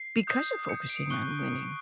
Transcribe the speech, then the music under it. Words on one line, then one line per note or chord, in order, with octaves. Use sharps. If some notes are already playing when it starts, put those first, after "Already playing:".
because of focusing on winning
Already playing: C7
D#6 G6
D#6 G6 C#7
D7
C#6 F#6 G7